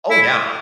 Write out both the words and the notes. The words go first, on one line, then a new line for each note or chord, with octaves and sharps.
Oh, yeah.
E4